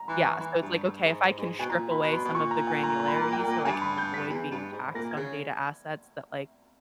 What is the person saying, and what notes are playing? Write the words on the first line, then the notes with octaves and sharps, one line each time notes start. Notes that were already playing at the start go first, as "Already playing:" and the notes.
Yeah, so it's like, "Okay, if I can strip away some of the granularity, so I can avoid being taxed on data assets that like,
Already playing: A#5
E3 B5
C#6
E3 B5
G2
G2
G#2
G#2
B2 G#5
A#2 A#5
B5
B2
B5
B2
A#2 C#6
A#5
G#5
A#5
A#5
B5
A#5
G5
G2 G#5
B5
G6
B6
E2
G2
G#2
A#2 A#6
C#3 G#6